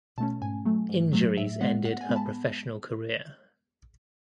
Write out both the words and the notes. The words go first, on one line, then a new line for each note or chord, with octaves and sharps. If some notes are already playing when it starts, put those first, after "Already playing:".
Injuries ended her professional career.
B2 A3 C#4 A5
G#2 G#5
F#3 A3
G#2
F#3 A3
A2 E5
G#3 B3 F#5
A2 F#5
G#5
G#3 B3 B5
A5